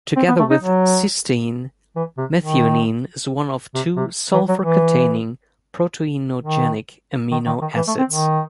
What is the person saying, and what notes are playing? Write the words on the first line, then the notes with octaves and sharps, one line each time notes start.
Together with cysteine, methionine is one of two sulfur-containing proteinogenic amino acids.
C4
B3
A3
D#4
F#3
E3
C3
D#3
C3
C3
E3
F#3
E3
D#3
D#3
D#3
D#3
E3
A3
C4
D#3